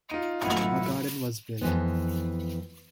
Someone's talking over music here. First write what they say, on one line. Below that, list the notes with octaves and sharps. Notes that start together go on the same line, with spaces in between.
A garden was built.
D#4 F4
G#1 F#2 A2 E4 B4 F#5
F2 E3 G#3 B3